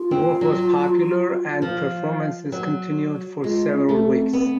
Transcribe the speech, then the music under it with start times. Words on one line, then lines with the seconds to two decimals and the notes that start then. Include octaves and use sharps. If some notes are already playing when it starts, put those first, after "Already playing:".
The work was popular and performances continued for several weeks.
Already playing: F4
0.11 C4
0.41 F#3
1.62 F3
2.52 F#3
3.43 G#3 F4
3.73 C#4
3.89 A3
4.03 C4
4.33 B3